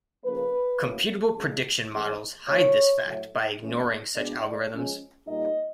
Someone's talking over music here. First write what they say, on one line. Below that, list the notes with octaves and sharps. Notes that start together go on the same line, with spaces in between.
Computable prediction models hide this fact by ignoring such algorithms.
C#3 F3 A#3 B4
A2 F#3 A#3 C#4
C#3 F3 G#3
A2 E3 G#3 C#4
D#3 G3 A#3 C#5
A2 F#3 A3
E3 A3 C#4
B2 G#3 B3 D4 D5
F3 G#3 C#4
A#2 G3 A#3 D#4 D#5